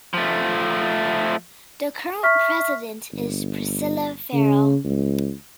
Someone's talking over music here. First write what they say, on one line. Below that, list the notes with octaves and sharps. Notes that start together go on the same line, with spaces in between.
The current president is Priscilla Feral.
F3 A3
E5 C#6 F6 B6
G1
C#3
C#2